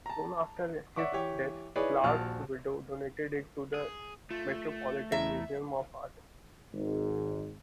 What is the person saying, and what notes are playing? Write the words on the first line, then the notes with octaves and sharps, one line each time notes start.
Soon after his death, Clark's widow donated it to the Metropolitan Museum of Art.
A5 A#5
C#5 D5 E5 F#5 C#6 D6
E3 G4 C#5
D#4 E4 G#4 B4 C#5 D5
D#1 A#1 F#4 A5 E6 F6
G#4
A3 F4
E2 E4 E5 A#5
G#1 G#2